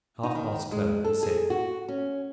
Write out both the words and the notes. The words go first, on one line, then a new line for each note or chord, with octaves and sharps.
"Half-past twelve," he said.
D#4
D#3
G#3
A4
G#4
F#4
C#4